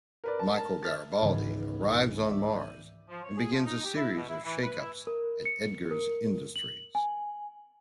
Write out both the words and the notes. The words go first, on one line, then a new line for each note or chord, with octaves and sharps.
Michael Garibaldi arrives on Mars, and begins a series of shakeups at Edgars Industries.
A#4 B4 D5
A5
A#4 A5
E5 F6 A6
G#1 C#2 G#2 C#3 E3 B3
D5 E5
F#6 G6 D#7
F3
C#5
G#4
F3
D#4
G4
E4
B2
E4
E3
B4
E4
A#4
C#7
A#4
F#7
G#5